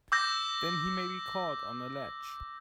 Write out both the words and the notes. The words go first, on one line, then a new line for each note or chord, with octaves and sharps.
Then he may be caught on a ledge!
D6 E6 G6 A#6